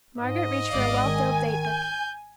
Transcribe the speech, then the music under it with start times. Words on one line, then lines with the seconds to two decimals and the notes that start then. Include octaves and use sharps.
Margaret reached for a well-filled date-book.
0.18 G#2 D#5
0.69 G#1 D5 F5
1.03 D#3 G#5
1.65 G6